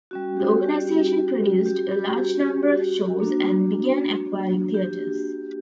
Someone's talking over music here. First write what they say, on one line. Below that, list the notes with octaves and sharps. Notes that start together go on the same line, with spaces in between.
The organization produced a large number of shows and began acquiring theaters.
G3 C#4 F#4
G4
G4
F#4
G4
G4
F#4
G4
F#4
A#3 D4 F#4
G4